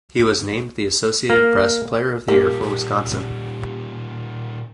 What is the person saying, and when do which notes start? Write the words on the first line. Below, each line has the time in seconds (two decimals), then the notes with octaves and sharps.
He was named the Associated Press Player of the Year for Wisconsin.
1.30 A#3
2.28 A#2 G3 A#3 G4